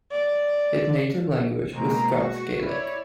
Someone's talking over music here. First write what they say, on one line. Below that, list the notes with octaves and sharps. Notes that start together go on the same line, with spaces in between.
His native language was Scots Gaelic.
D5
B2 E3 G#3 A#3 C4 A#5
F#4 C#6
E4 C#5 D5